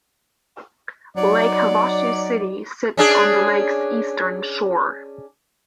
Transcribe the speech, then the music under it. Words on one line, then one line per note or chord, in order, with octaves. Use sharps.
Lake Havasu City sits on the lake's eastern shore.
F#3 D#4 D5
C#4 D4 G#4